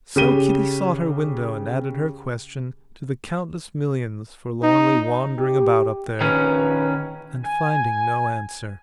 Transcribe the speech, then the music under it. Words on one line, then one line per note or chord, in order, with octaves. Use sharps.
So Kitty sought her window and added her question to the countless millions forlornly wandering about up there, and finding no answer.
C#3 G4 D#7 G7
D#4
G4
A#1 D#3 C#4 B4
G#5